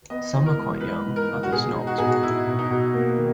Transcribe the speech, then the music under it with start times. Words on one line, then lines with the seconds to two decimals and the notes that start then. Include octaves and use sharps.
Some are quite young, others not.
0.10 B3 D#5
0.34 E3
0.46 A#4
0.57 G#3
0.81 G#3 B4
1.05 G#2
1.16 A#4
1.28 G#3
1.43 F#4
1.52 B2 G#4
1.76 D#4
1.87 F#4
1.98 B2 G#4
2.08 F#4
2.23 B2 E4
2.47 B2
2.59 D#4
2.70 B2
2.94 A#3
3.18 D#3